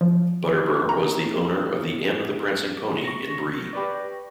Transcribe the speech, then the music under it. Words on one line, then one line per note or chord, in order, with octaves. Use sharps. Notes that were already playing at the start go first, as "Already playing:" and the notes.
Butterbur was the owner of the Inn of the Prancing Pony in Bree.
F3
A#5
C#6 A#6
G4 B4 D5